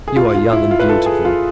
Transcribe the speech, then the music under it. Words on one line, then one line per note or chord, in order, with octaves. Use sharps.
You are young and beautiful.
G#4
F4
F4
E4
F4
B4
A4
G#4
F4